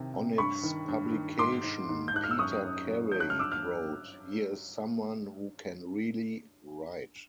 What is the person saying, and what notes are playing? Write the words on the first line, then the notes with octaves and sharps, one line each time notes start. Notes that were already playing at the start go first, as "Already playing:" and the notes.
On its publication, Peter Carey wrote "Here is someone who can really write".
Already playing: C3 D#3
C3
G2 B5 C#6
D#3
G2
D#3
G#2 C6 D6
G#2
G#2
G6
G#2 F#6
F6
E6
F#2 C#6 D#6
F#2
F#3
F#3 G6
F#6
F6
G2 D6 E6
F6